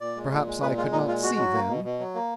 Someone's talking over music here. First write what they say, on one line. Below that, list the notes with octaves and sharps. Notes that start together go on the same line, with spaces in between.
Perhaps I could not see then.
A#2 D5
G#3
A#2
G#3
A#2 B4
G#3 F4
A#2 D#4
G#3 F4
B2 F#4
F#3
A#3
B2
B2
F#3
A#3